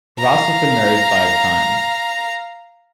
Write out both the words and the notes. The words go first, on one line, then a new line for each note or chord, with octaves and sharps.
Ross has been married five times.
F5 A#5